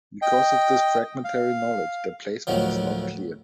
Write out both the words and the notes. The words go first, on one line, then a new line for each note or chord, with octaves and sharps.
Because of this fragmentary knowledge their placement is not clear.
D#5 G5
F5
D2 A2 D#3 F3 F#3